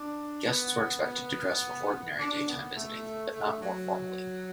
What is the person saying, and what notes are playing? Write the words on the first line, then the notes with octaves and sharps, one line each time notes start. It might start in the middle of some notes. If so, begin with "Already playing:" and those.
Guests were expected to dress for ordinary daytime visiting, but not more formally.
Already playing: D4
B3
B3
D4
B3
A3
A3
F#3